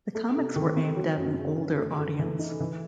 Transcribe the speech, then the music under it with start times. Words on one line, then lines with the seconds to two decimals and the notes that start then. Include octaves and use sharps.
The comics were aimed at an older audience.
0.15 A3
0.36 C3
0.56 D#3
0.76 C4
0.96 F#3
1.17 F#2
1.38 C#3
1.57 F#2
1.79 A3
1.98 F#2
2.19 E3
2.39 D#4
2.60 E3